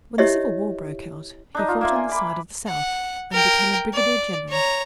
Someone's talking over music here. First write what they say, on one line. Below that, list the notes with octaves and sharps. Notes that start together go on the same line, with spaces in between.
When the Civil War broke out, he fought on the side of the South and became a brigadier-general.
E4 G4 C#5 D#5 E5
D4 D#4 D#5
F4
A#3 E5 C6
G#5
B5 D6
F#5
A#4 G5
D5
C#5 A#5